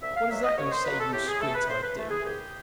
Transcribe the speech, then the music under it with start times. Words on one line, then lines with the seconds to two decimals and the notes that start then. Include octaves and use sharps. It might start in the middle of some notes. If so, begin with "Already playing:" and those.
What is that you say, you squint-eyed dude?
0.02 C2 E5
0.16 F5
0.30 B2 F#3 A#3 E5
0.44 D#5
0.58 C2 C#5
0.72 C5
0.85 B2 F#3 A#3 B4
1.00 A4
1.13 A2 G4
1.28 G#4
1.41 E3 A3 A4
1.55 B4
1.69 A2 C5
1.83 B4
1.98 E3 A3
2.11 G#4
2.25 C2 G4